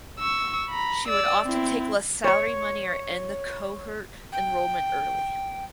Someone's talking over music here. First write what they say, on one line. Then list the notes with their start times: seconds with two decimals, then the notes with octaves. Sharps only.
She would often take less salary money or end the cohort enrollment early.
0.19 C#6 E6
0.70 A#5 B5
1.08 D5 E6
1.44 C4 E4
2.24 C#5 C#6
4.32 G5